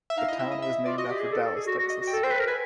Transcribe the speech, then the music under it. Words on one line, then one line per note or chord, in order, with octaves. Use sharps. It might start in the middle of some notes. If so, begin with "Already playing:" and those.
The town was named after Dallas, Texas.
E5
D#4 F5
E4 D#5
E4 E5
D#5
E5
F4 D5
F#4 D#5
G4 D5
G#4
A4
A4
G#4
F#4
F#4
D#5
F#4
G5
A4
C5 G5
B4
A#4
B4 G#5